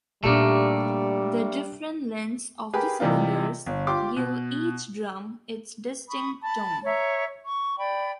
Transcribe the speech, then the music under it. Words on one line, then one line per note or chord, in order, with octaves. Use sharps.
The different lengths of the cylinders give each drum its distinct tone.
A#2 G3 A3 A#3 D4 D#4 G4 E5
G4 G#4 A#4 B4 B5
C3 E3 G3 D#4 F4
G1
F4 G4 C6 D6
B2
B5 C#6 D#6
A5 B5
C#5 E5 A#5
C#6
D5 G5 B5